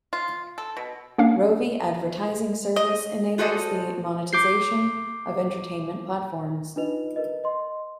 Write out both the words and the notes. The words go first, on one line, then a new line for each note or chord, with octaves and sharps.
Rovi Advertising Service enables the monetization of entertainment platforms.
F4
A4
B2
A#3 C#4 D4 F5
D#5
F4 F#4 A4 C5 D5 D#5
D6 G6 C7
D4 D#4 F4 B4 D#5 F7
A#4 B4 D#5
D#5 C6